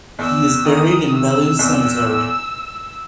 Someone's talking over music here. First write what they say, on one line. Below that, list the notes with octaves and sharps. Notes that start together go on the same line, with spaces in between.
He is buried in Bellu cemetery.
E2 E6
D#3 D#6
C3 E6
E2